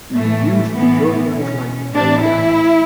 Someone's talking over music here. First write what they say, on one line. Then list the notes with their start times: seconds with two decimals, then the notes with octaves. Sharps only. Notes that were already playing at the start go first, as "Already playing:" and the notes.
You used to joyride like the very devil.
0.15 A2 E3 A3
0.76 A2 E3 B3
1.36 B2 C#4
1.95 A2 E3 D4
2.25 E4